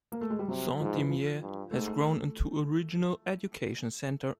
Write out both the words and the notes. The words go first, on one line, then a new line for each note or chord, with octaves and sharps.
Saint-Imier has grown into a regional education center.
A#3
A3
G#3
G3
C3 F#3
G#2 F3
E3
F3
G2
G#2 A3